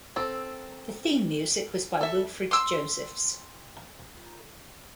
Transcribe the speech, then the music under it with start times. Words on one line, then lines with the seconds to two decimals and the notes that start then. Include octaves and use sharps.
The theme music was by Wilfred Josephs.
0.16 C4 A4
2.01 A4 E5
2.51 C6 E6